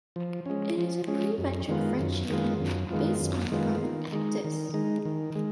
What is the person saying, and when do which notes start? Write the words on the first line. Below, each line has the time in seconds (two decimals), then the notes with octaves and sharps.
It is a pre-metric French unit based on the Roman "actus".
0.16 F3
0.46 G#3 C#4
0.77 F3
1.08 G#3 C#4
1.38 F#2
1.69 D#3 G#3 B3 F4
1.99 F#2
2.30 D#3 G#3 B3 F4
2.60 F#2
2.90 D#3 G#3 B3 F4
3.21 F#2
3.52 D#3 G#3 B3 F4
3.83 D#3
4.13 G#3 D#4
4.44 D#3
4.74 G#3 D#4
5.05 D#3
5.36 G#3